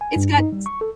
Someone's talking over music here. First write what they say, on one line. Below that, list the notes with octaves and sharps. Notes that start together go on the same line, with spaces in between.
it's got s
G#5
G2
D#4
G3
C#6
A4